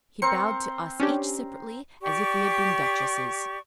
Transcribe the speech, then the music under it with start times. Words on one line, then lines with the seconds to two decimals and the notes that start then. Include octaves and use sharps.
He bowed to us each separately as if we had been duchesses.
0.22 C4 A#4 C5 C#7
1.00 C#4 D4 G4
2.01 G4 D5 C#6